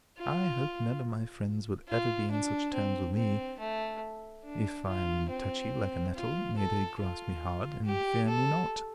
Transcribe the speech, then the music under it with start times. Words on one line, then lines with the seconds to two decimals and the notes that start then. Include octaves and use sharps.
I hope none of my friends will ever be on such terms with me; if I am touchy like a nettle, may they grasp me hard, and fear me not.
0.18 F4
1.88 F4
2.32 D4
2.74 C4
3.17 C4
3.59 A3
4.45 D4
4.87 F4
5.29 C4
6.15 F4
6.58 A4
7.00 F4
7.85 G4
8.28 A4